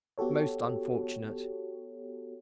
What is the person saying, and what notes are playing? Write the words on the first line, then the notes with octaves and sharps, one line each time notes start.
"Most unfortunate!"
B3 F#4 G4 A4 C#5